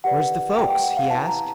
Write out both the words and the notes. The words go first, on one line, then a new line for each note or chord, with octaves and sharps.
"Where's the folks?" he asked.
G4 B4 D5 F#5
G4 B4 D5 G5
G5
F#5
F5
E4 G4 B4 A5
A#5